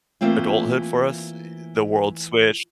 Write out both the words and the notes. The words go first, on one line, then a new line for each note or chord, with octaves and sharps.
adulthood for us, eh, the world switched.
E3 A3 A#3 C4 F4